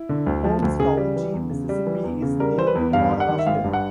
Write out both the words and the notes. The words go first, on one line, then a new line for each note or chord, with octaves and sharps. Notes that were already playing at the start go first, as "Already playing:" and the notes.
Holmes County, Mississippi is named in honor of him.
Already playing: E4
D3
D2
F3
D2
C#3 G#4
G3
E3
E2
C#3
G3
E3
E2
C#3
G3 A#4
E3 C5
B4
E2
G2 F5
G3
F#5
D#3
E5
G#1 F5
G2
F#5